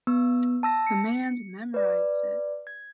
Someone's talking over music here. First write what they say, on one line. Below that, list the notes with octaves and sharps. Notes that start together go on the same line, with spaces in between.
The man's memorized it!
B3 E6
A5 E6 A#6
C#7
B4 D5
G#6